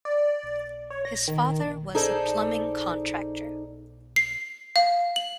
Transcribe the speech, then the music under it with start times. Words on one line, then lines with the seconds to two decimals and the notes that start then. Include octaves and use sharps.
His father was a plumbing contractor.
0.05 D5
0.90 C#5
1.05 A#6
1.28 D#3
1.95 D#4 G#4 A4 C5 D5
4.16 C7
4.76 F5
5.16 F#7